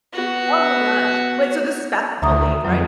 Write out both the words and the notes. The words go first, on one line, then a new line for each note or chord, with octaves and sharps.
Oh my gosh. Wait, so this is basketball league, right?
B3 F#4
D2 E5 A#5 D#6
F2 F#3